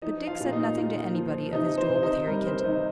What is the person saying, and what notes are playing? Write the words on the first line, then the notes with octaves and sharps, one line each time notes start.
But Dick said nothing to anybody of his duel with Harry Kenton.
F3 D#4 D#5
F4 F5
A#2
D#4 D#5
A#2
F3
C3 D#4 D#5
C5
C3
D#4 D#5
G3 A#4
C5
D#3 D#4 D#5